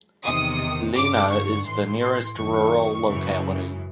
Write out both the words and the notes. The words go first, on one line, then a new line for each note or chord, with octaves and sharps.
Lena is the nearest rural locality.
E2 C3 D#3 D#6
G2 D3 D6
C#6
A2 E3 C6
C6
F#2 D#3 C#6
F#2 C#3 E3